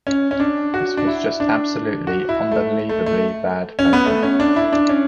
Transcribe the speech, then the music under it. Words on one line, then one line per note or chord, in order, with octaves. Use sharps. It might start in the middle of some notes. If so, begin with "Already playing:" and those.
This was just absolutely, unbelievably bad poker.
C#4
C#4
D4
F#4
D4
E4
D4
F#4
E4
A3
A3
A3
C#4
B3
A3
C#4
D4
E4
D4
C#4